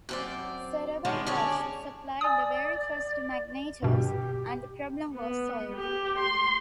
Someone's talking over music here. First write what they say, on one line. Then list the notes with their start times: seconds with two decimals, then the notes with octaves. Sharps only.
Sir Robert Bosch supplied the very first magnetos and the problem was solved.
0.09 F#2 C4 D5
1.05 D#3 G#3 B3 C#4 D4
1.27 D3 C#4 D4 G#4 C#5 D5
2.21 D5 G#5 D#6
3.83 G2 B2 G4
5.14 B3
5.75 G4
6.18 C6